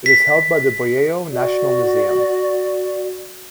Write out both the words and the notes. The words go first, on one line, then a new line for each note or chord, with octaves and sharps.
It is held by the Buyeo National Museum.
B6
F#4 D5